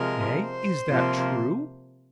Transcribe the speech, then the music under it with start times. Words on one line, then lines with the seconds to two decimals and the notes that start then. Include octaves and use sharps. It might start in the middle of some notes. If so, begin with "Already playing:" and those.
"Nay, is that true?"
Already playing: C3 F3 G#3 A#4
0.41 C5
0.89 C3 F3 A#3